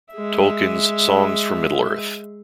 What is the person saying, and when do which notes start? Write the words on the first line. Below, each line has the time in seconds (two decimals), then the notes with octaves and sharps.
Tolkien's Songs from Middle-earth.
0.14 G#3 E5